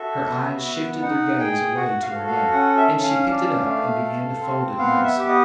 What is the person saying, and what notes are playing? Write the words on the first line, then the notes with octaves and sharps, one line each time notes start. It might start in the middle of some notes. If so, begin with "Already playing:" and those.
Her eyes shifted their gaze away to her letter, and she picked it up and began to fold it nervously.
Already playing: F#4 A4 E5
B3
B3
D#4 F#5
G#4 G5
F#4 F#5
F5
A4
F5
C#4 F#5
E5
C#4
F5
D4
A3
A4
C4
B3 F5
E5
G4
D#5